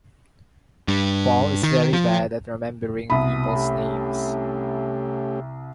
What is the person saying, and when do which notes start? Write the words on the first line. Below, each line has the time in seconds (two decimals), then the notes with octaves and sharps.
Paul is very bad at remembering people's names.
0.88 G2
1.63 D#3
1.93 F3
3.10 C2 B2 B5 D#6
3.55 A3 C#4 G4